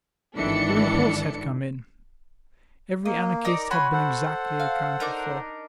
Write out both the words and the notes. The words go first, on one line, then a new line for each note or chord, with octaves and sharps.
The reports had come in: every anarchist had been exactly accounted for.
G#1 D#3 E3 D4 A4 C#7
A#3 D#5
D#4 A#4 D5
F#4 C#5 G#5 B5 C6
A4 C5 F#5
F5
D4 D#4 A#4